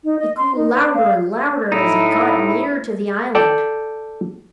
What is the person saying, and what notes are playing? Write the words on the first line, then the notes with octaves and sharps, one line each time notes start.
It grew louder and louder as he got nearer to the island.
D#4
D#5
C6
D#4
B4
F5
A2 D#4 E4
A4 D5 G5